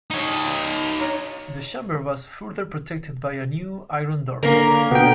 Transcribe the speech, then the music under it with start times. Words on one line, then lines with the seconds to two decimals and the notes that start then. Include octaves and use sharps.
The chamber was further protected by a new iron door.
0.10 D#4 C#5
4.43 D3 A#3 C#4 A#4
4.91 B2 D3 B3 G5